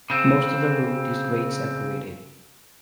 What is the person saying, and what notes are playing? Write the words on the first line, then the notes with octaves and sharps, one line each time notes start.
Most of the route is grade separated.
C#3 C4